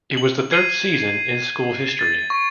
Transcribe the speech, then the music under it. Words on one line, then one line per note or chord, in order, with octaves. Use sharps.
It was the third season in school history.
F#7
G#6 C7 D#7
A6
C#6